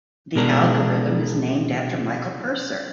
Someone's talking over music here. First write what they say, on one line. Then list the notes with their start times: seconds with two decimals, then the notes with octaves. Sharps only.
The algorithm is named after Michael Purser.
0.35 B2 G#3 D4 A#4